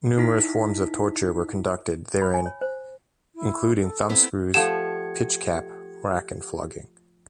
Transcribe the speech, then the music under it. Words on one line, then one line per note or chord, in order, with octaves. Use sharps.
Numerous forms of torture were conducted therein including thumb screws, pitch-cap, rack and flogging.
D#4 E4 B6
B5
G#5
C#5
C5
E4
A4
B3 C4 E4
F3 A3 G4 A4 F#5 G#6 C#7 E7